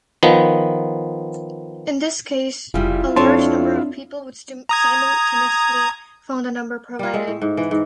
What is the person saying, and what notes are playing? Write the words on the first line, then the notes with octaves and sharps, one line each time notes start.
In this case a large number of people would simultaneously phone the number provided.
D#3 F3 B3
F1 C#3 G3 E4 F4
F2 C4 D4 C#5 A5
D4
A#5 D#6 G#6
G3 F4
G#3 E5 F5
A2
G#2
E3 F#5
G#2